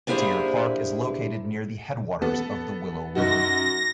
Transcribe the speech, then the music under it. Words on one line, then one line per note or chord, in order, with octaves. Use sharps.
Deer Park is located near the headwaters of the Willow River.
A#3 D4 E4 G4 G#4 C5
B3 A4
F#2 D#4 F#4 A#6